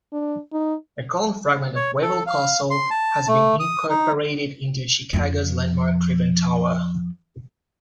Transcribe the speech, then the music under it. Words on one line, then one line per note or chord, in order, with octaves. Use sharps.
A column fragment of Wawel Castle has been incorporated into Chicago's landmark Tribune Tower.
D4
D#4
C#5
A4
F5
C6
A5
A3
D#6
D#4
F2 F3